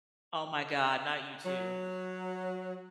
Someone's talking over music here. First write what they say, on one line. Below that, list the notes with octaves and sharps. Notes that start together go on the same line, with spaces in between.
Oh, my God, not you, too.
F#3